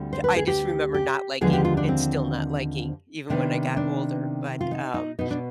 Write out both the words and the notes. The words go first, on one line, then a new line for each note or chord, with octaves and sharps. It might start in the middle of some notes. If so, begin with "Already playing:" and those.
th I just remember not liking, and still not liking even when I got older, but um
Already playing: D2 D3 G3 C4
C5
B4
G#4
G4
G4
D#2 D3 F3 G#3 B3 G#4
G4
F4
D4
C4
C3 D#3 B3 D4
D4
F4
D#4
D#4
B2 B3 D#4
D4